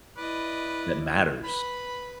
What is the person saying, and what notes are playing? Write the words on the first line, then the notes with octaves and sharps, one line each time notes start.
that matters.
E4 B4 D5 D#5
B4 B5